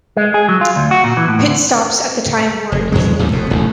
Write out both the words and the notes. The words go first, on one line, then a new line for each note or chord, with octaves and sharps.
Pit stops at the time were unusual.
G#3
G#4
F#3
F4
D2
F#4
A#2
E3
A2
D2
F1
E2 F#3 G#3
A1 D#2 C3 G3
F1 F2 B2
D1 A1 D#2